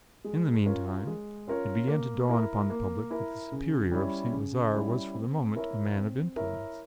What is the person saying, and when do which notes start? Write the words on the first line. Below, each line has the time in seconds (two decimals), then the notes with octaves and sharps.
In the meantime it began to dawn upon the public that the Superior of St. Lazare was for the moment a man of influence.
0.24 G#3
0.66 C#4 F4 A#4 C#5
1.07 G#3
1.47 C#4 F4 A#4 C#5
1.88 A#3
2.29 E4 A#4
2.70 A#3
3.10 E4 A#4
3.52 C#3
3.91 G3 C#4 E4
4.33 C#3
4.74 G3 C#4 E4
5.14 C4
5.55 E4 A#4 C#5 E5
5.96 C4
6.36 E4 A#4 C#5 E5